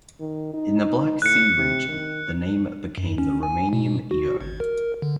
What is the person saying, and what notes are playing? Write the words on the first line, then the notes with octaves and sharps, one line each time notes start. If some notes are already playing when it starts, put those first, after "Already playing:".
In the Black Sea region, the name became the Romanian Ioan.
D#3
D#4
A2 F#6 C#7
C3
D#3
F#2
C#4
G#5
B2
F#4
G#1
A#4
D3